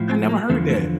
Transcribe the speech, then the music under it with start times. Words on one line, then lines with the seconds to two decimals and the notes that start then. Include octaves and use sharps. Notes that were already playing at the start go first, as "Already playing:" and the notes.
I never heard that.
Already playing: A2 F3
0.09 C4
0.29 A#3
0.50 E2 D3 F3 A3
0.69 A3